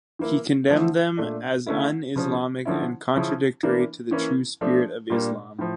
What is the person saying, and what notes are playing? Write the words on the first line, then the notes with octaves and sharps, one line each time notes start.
He condemned them as un-Islamic and contradictory to the true spirit of Islam.
E3 A#3 E4
D3 F3 A3 E4
A#2 A3 D4
D3 A3 C#4 E4
C#3 F3 C#4
D3 F3 C#4 E4
C#3 F3 C#4 E4
E3 A#3 D4
E3 A#3 C#4 E4
F3 A3 D4
A#2 G3 A#3 D4
A2 F3